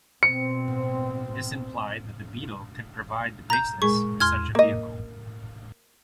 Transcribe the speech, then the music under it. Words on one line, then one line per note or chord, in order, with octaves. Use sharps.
This implied that the Beetle could provide the basis for such a vehicle.
B2 C4 C#7
A#5 G6
A#2 G#3 G#4 C#6
E2 C6 F6 G#6
A#3 D#5